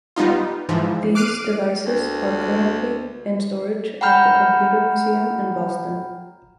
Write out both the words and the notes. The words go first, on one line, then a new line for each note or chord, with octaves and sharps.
These devices are currently in storage at the Computer Museum in Boston.
G3 B3 D#4 F4
G#2 E3 F3
D6 F6 F#6 C7 D7 D#7
D2
F#5 G5 A#5 B5 F6 G6